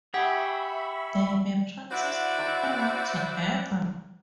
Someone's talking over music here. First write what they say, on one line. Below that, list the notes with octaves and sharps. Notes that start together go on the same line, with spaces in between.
They may practice partner work together.
G4 G#4 E5 F#5 B5 C#6
E4 F#4 C5 D5 E5 F#5